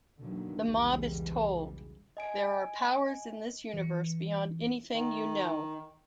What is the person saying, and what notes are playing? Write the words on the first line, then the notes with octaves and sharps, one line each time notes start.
The mob is told, There are powers in this universe beyond anything you know.
B2 D3 D#3 F#3 A#3
B1 E2 C#3 E3 G3 G#3
D#5 G#5 D7
E3 C#7
D#3